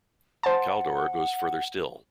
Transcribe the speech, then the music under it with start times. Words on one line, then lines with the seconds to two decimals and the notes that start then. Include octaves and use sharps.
Kaldor goes further still.
0.43 C5 F#5 A5